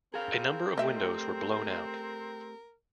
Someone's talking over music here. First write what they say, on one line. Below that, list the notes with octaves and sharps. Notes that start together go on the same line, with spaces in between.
A number of windows were blown out.
C4 G#4 A#4 F5
A3 G4 D#5 E5